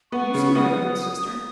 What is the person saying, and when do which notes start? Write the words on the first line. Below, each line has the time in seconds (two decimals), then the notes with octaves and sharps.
'You seem to have a good sister.'
0.12 B3 C#6
0.34 C#3
0.46 C#6
0.55 B3 D#6